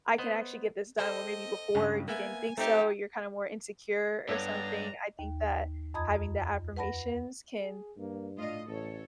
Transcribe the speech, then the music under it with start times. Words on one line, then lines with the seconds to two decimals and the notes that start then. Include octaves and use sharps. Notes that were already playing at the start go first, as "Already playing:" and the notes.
I can actually get this done," where maybe before you didn't think so or you're kinda more insecure or something. I think that having the affirmations can
0.18 B3 C5 D#5
0.98 A4 C5 D#5 G5
1.75 G2 C#3 G#3
2.08 A#3 B3 E5 G#5
2.58 A3 C4 D#4 G4 E5
4.29 G2 B3 A4 C#5 A#5
5.19 D#2
5.94 F2 D#5 A#5 B5 D#6 G#6
6.77 B4 F#5 A5 B5 A#6
7.59 G#4
7.97 G2 A#3
8.37 A2 D4 F4 D#5
8.68 A1 A2 A4 C#5